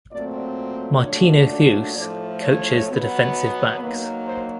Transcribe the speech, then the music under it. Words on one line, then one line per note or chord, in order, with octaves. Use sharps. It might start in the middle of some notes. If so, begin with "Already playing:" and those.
Martino Theus coaches the Defensive Backs.
A#2 F#3 A3 C4 D5
A#2 F#3 A3 D4 C#5
D5
A2 F3 A3 D5
C#5
B2 F#3 B3
D#3 F#3 A#3 B4
C5